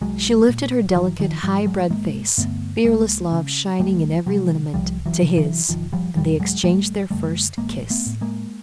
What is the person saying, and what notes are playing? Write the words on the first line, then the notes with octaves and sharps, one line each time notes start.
She lifted her delicate, high-bred face, fearless love shining in every lineament, to his, and they exchanged their first kiss.
C2 F#3 G#3
A#2
G#1 E3 F#3
D#3 F3
G#2 F3 G3
F#3 G#3
G#1 G#3 A#3
G2 D3 A3 B3
C#2 G#3 A#3
C#3
D2 G3 A3
C3 F#3 G#3
C2 F3 G3
E3 F#3
C3
E3 F#3
E1 D#3 F3
F3 G3
E2 B2 F3 G3
F#3 G#3
G#1 G3 A3
F#2 D3 G3 A3
A1 G#3 A#3
A3 B3
A2
G#3 A#3